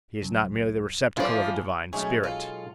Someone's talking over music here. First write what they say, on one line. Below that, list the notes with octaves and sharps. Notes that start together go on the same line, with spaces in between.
He is not merely the receptacle of a divine spirit.
C2 F#2
E3 F3 F4 B4 C5 D5 G#5
B1 G#3 A3 C#4 C#5
F4 A4